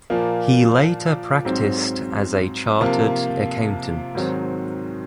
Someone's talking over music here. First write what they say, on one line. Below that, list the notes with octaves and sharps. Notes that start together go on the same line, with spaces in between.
He later practiced as a chartered accountant.
A#2 F3 A#3
G#2 F#3 C4
C3 F3 A#3 F4
G#2 D#3 F#3 C4